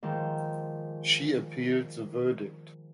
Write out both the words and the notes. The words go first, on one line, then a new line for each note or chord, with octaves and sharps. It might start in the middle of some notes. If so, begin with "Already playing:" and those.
She appealed the verdict.
G#2 D#3 F3